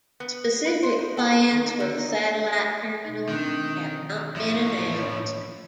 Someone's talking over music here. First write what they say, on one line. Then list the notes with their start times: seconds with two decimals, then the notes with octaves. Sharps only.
Specific plans for the satellite terminal have not been announced.
0.20 B3
0.65 B4
0.83 C5
0.99 D#4
1.17 A4
1.51 D#3
1.66 D#4
1.80 D3
1.98 D#4
3.04 B2 D#4
3.29 D#3 C4 D4 F#6
4.36 A2 F3 E5
4.99 C#5